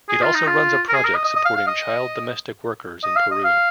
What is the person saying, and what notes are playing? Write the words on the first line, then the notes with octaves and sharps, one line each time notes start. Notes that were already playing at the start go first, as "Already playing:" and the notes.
It also runs a project supporting child domestic workers in Peru.
G#4
F4
D#4
F4
A#4
G#4
A#4
D#5
D#5
D#5
F5
F5
D#5
D#5
F5
D#5
F5